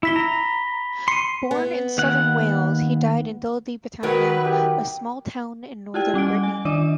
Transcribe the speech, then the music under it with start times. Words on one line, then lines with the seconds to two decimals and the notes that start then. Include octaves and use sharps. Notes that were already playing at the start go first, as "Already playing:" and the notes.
Born in southern Wales, he died in Dol-de-Bretagne, a small town in north Brittany.
0.03 E4 B5 B6 G7
0.16 A#5
1.08 C6 C#7 D#7
1.51 B3
1.98 D#2 F#5
4.03 D#3 F#3 F#4 B4
4.45 G4
5.94 E4 F4 G4 D5 G5
6.14 G3 C#4 F#5 D7
6.43 G#5
6.65 D#3 D4 D5 D#5 D6